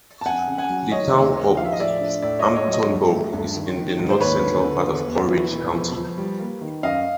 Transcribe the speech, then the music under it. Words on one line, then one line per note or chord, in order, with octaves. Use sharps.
The Town of Hamptonburgh is in the north central part of Orange County.
A5
F2 F#5 G#5
C#3
F#5 G#5
F#3
D#3 C#5 D#5
D#2
D#3
F3 F5
E5
D#5
A2 D5 E5
D4
A2 D5 E5
C#5 D#5
A2
C#5 D#5
F#3
C#5 D#5
G2
A3
G2
D#3
D#3
G#2
C5
D#2 B4 C#5
D3
D3
E2
E2
E3
E1
F3
F3
G3
A#3
D#3
F#2 D#5 F5